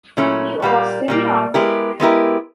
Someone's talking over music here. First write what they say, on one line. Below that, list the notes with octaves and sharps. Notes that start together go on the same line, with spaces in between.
You are still young.
A#2 F#3 A3 C#4 E4
A#2 G3 A#3
A#2 G3 A#3
G#3 B3 E4 G4 A#4
G#3 B3 E4 G4 A#4